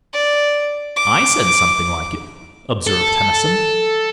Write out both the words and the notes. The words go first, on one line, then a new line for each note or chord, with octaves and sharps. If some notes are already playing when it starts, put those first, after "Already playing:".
"I said something like it," observed Tennyson.
D5
D6
A4